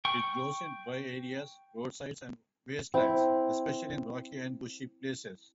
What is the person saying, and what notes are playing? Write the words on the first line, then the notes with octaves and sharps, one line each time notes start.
It grows in dry areas, roadsides and wastelands, especially in rocky and bushy places.
G5 C#6
C4 E4